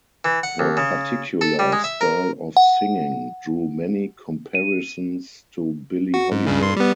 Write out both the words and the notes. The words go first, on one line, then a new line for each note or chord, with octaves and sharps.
Her particular style of singing drew many comparisons to Billie Holiday.
E3
F#5
D#2
C#3
A4
G3
G#3
E5
A#4
F#5
D#7
F#4
G#2
C#2 G2 C#3
G2 C6
G3 B3